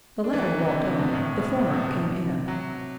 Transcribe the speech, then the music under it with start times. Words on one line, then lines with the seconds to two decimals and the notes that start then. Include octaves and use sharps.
The latter walked on; the former came in.
0.24 D4
0.33 E3
0.40 F#3
0.58 C3
0.69 D3
0.84 C3
0.99 B2
1.14 A2
1.36 B2
1.59 C3
1.73 B2
1.88 B2
2.02 C3
2.48 F#3